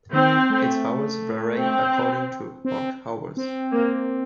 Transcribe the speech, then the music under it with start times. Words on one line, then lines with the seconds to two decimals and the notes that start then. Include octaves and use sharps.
Its hours vary according to park hours.
0.13 D#3 C4
0.50 A3
1.56 C4
2.65 C4
3.37 C4
3.72 A#3